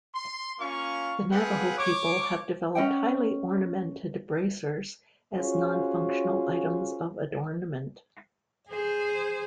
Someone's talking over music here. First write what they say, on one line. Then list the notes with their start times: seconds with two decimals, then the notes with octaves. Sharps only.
The Navajo people have developed highly ornamented bracers as non-functional items of adornment.
0.14 C6
0.59 A#3 C#4 F4 F5 C#6
1.31 C4 G#4 B4 F5 F#5
1.77 C#5 D6
2.75 C#4 D#5 F#5 G5
5.35 C#4 F4 F#4 G#4 C5 C#5
8.69 G#4 C5